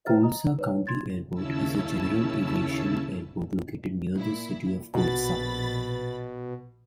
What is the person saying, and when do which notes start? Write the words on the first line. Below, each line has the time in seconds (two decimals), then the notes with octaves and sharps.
Colusa County Airport is a general-aviation airport located near the city of Colusa.
0.06 B4 C5 E5 A#5 F6 A6
0.23 D#5 A#5 D#6
0.56 D#4 B4 C#5
0.87 C6 G#6 A6
1.33 D#2 C#3 C#4 E4 A5 E6
4.14 A#2 E4
4.95 A#1 B2 B5 A6